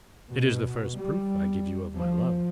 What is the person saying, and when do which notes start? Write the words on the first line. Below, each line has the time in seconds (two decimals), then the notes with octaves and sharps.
"It is the first proof I give you of my love."
0.33 B2
0.98 G3
1.95 F3